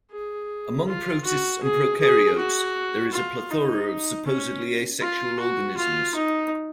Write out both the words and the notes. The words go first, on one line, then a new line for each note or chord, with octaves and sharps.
Among protists and prokaryotes there is a plethora of supposedly asexual organisms.
G#4
F4
F#4
G#4
G#4
F#4
F4
D#4
C#4
F4
F#4
F4
D#4